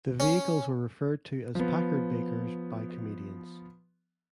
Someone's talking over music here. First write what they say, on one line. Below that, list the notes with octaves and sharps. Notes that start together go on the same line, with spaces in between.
The vehicles were referred to as "Packardbakers" by comedians.
C#4
F3 B3